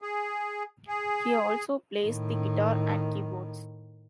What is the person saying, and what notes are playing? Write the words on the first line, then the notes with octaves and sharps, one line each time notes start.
He also plays the guitar and keyboards.
G#4
G#4
A2 D#3